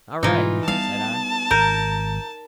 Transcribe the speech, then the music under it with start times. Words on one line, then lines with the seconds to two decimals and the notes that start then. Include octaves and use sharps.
"All right," said I.
0.23 G#2 B2 E3 G3 D#4 F4
0.68 G3 A#3 B3 F5 A5
1.51 G#1 A#4 A#5 G6